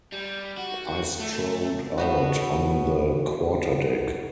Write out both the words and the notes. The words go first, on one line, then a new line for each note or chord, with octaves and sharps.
I strolled out on the quarter-deck.
G3
F#4
A3
A2 B3 F#4